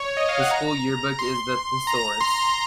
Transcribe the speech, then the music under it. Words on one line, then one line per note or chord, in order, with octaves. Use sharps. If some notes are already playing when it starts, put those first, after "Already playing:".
The school yearbook is the "Thesaurus".
Already playing: C#5
D#5
F5
F#5
A#5
C6
A#5
C6